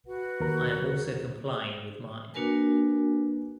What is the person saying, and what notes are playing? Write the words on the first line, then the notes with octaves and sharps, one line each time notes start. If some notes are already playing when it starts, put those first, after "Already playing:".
I am also complying with mine.
F#4 B4 F#5
D#2 A#4
A#3 D4 F#4 A#4 B4 G#5